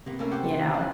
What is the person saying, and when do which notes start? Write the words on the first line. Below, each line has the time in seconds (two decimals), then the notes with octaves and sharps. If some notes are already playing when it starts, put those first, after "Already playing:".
You know?
0.06 C3 A#3 B3
0.19 A3 A#3 C#4 A4 A#4
0.32 G4 C5 F#5
0.74 C#4 F4 C5 F#6